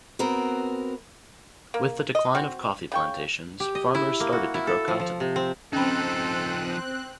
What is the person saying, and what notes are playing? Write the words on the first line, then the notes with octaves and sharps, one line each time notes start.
With the decline of coffee plantations, farmers started to grow cotton.
B3 C4 F#4 A#4
A#3
D#5
C4 F#4
C#3 G5 C#6
G4
D#5
E4
A#3
F#4
E4
A4
F3
F3
C3
C4
F3 C4 C#4 D#4 A4 G5 B5 F#6